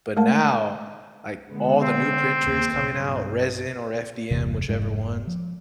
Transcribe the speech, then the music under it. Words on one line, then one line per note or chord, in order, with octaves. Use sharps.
but, now, like, all the new printers coming out, resin or FDM, whichever ones,
G#3 A3 A#4 F5 A5
D3 G#3 B3
C4
D#2
B1 G2
G1 E2 C3 E3
F1 G#2 G#3
F3